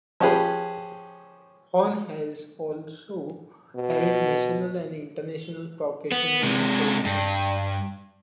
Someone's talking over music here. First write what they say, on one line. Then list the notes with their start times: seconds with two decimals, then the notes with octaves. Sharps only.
Horn has also held national and international professional positions.
0.20 F3 C#4 G4 G#4 B4
3.76 B2
6.12 B3
6.43 C3 G#3
7.05 G2